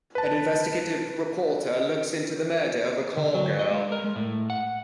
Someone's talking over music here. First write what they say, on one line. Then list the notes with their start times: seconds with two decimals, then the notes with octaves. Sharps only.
An investigative reporter looks into the murder of a call girl.
0.15 B4 A5
3.17 D3
3.34 F#3
3.59 D#5
3.71 G#3
3.92 A#4
4.04 G#3
4.16 A2
4.50 F#5